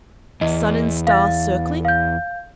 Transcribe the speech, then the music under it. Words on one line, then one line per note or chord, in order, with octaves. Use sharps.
Sun-and-star circling.
E2 D#5
F5 A6
F5 G6